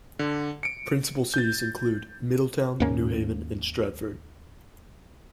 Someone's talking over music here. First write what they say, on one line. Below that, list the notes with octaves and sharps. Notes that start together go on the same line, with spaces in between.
Principal cities include: Middletown, New Haven, and Stratford.
D3
C#7 D7
G6 A6
D#2 G#2 A#3 C#4